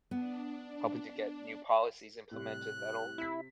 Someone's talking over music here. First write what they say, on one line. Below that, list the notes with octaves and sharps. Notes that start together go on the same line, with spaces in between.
hoping to get new policies implemented that'll
B3 D4
A2 C3 G3 F#6
C3 E4 B6